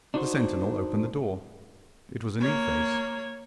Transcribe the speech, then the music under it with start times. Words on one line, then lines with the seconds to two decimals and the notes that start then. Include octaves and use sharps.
The sentinel opened the door; it was a new face.
0.14 D4 D#4 F#4 G#4 C5
2.40 A#3 C#5